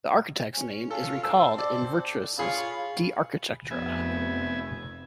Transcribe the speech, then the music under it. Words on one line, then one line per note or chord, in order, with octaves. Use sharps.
The architect's name is recalled in Vitruvius's "De architectura".
C#4
C#4 F4 A4
C4 A4 C5 E6
D5
F4 G#4 C#5 B5
F1 B3 E5 G#5